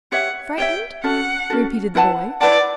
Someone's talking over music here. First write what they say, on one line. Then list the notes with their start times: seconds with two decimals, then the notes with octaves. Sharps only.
'Frightened?' repeated the boy.
0.12 G4 C#5 E5 F#5
0.58 G4 C#5 E5 G5
1.04 C#4 F#4 A4 F#5
1.50 C#4 F#4 A4
1.95 E4 B4 F#5 A5
2.41 E4 B4 D5 F#5 A5